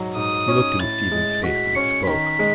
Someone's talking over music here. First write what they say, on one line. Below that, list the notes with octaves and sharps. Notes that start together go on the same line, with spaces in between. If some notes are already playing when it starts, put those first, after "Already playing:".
He looked in Stephen's face as he spoke.
Already playing: G#2 F#3
G#2 D#6
C#4
A2 A6
G#3
F#4 B6
C#4 C#7
D#3 B6
G#3